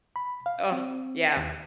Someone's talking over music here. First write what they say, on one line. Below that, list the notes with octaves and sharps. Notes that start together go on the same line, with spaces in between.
Oh, yeah.
B5
F5
C4
D#2